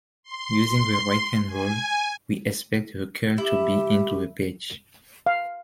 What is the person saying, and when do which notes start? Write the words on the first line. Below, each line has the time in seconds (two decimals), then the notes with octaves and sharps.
Using the right-hand rule, we expect the curl to be into the page.
0.23 C6
1.46 G#5
3.38 E4 G4
5.26 F5